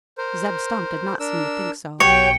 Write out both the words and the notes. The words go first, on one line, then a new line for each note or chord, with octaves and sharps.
Zeb Stump did not seem to think so.
A#4 C5
D4 A#4 E6
B1 F#4 G4 C#5 G5 G6 C#7